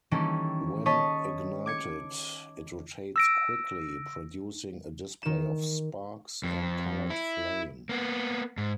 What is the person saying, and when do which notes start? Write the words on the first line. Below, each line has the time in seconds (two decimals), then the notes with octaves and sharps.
When ignited, it rotates quickly, producing a display of sparks and coloured flame.
0.11 D#3 E3 G3 A#3 C#4 A4
0.86 D#3 C#5 D#5 A5 B6
1.66 D6 G#6 C#7
3.16 E6 A#6 D7
5.23 D#3 E7
6.43 F2
7.10 E4
7.89 A#3 B3
8.57 G#2